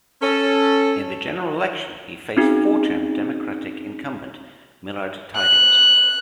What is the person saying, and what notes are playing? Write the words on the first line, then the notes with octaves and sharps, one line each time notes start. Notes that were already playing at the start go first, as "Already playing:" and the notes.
In the general election, he faced four-term Democratic incumbent Millard Tydings.
C#4 A4
C4 C#4 D#4 F#4 G#4
F#6